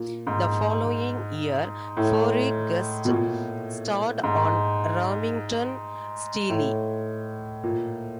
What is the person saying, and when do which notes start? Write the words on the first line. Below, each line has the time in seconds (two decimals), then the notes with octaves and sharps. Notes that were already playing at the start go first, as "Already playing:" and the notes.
The following year, Furey guest starred on "Remington Steele".
Already playing: A#2
0.27 G#2
1.97 A2
3.05 B2
3.10 A#2
4.23 G#2
6.49 A2
7.63 A#2